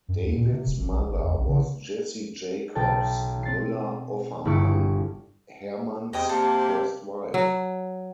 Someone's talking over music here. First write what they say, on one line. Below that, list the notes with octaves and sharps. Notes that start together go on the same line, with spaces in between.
David's mother was Jessie Jacobs Muller Offermann, Hermann's first wife.
F#2
D#2
A#2
C3
E1
G#1
A#1
G#1
E2
A#1
C#3
B1 G5 A5 G6
C4 A6 C7
G1 G2 E4 G4 C#6
E2 C3 D#5 G5 D#6
A#3 G4 A4 C5 D5
F#3